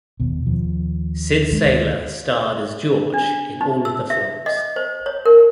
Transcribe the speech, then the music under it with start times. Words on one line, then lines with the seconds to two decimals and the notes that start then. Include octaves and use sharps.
Syd Saylor starred as George in all of the films.
0.20 D#2 B2
0.46 D#2 F3
1.51 D2 D#3 G#3
3.14 D4
3.61 D#4
3.85 E6
4.10 E5
4.46 D#5
4.76 C5
5.06 C#5
5.26 A#4